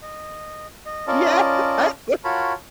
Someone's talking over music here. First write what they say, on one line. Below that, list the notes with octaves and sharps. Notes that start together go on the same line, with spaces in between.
Yes! I sw
D#5
D#5
C#4 F4 A#4 D5 D#5 A5
F4 F#4 A#4 C#5 A5 B5